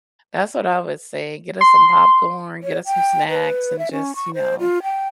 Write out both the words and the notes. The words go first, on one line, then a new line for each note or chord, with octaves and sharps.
that's what I would say. Get us some popcorn, get us some snacks, and just, you know,
C6
C#5
G5
B4
E5
C#4
C#6
C5
F4
G5